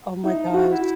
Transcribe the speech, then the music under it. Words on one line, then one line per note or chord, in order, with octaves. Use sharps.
Oh my gosh.
D#4 E4
F#4
E4